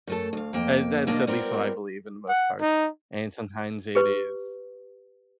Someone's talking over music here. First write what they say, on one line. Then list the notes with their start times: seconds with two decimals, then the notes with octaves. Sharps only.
Uh, that's at least what I believe in the most cards. And sometimes it is
0.07 F#2 A3 A4
0.33 D2 F5
0.53 F2 A#3 G5
1.07 D#2 B2 A#3 D4 D#5
1.27 G3 B3 C4 F4 A#4
2.28 F#5
2.60 D#4
3.95 G4 B4 C6